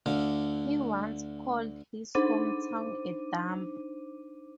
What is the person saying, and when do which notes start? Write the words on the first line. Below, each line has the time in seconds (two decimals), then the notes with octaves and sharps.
He once called his hometown "a dump".
0.06 D2 D3 F5
2.15 D4 D#4 C5 D6 D#7